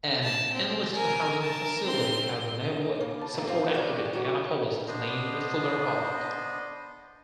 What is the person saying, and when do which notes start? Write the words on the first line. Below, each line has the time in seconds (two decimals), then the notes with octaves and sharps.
An enlisted housing facility at the Naval Support Activity Annapolis is named Fuller Hall.
0.24 A5
0.54 C4
0.92 A#4 G#5
1.41 A#4 A5
1.86 C4 C6
3.01 C#3 A#3
3.21 A5
3.34 D3 D#3 G3 A3 A#3 D#4
3.48 C4 F4
3.74 C3 G#3 C#4 F#4 D5 G5
4.13 D#3 E3 F#3 F#4
4.87 B3 D4 C5 D#5